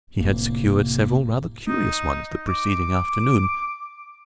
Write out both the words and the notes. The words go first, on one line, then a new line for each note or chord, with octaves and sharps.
He had secured several rather curious ones the preceding afternoon.
F1 A2 C3 A#3
D#4
D6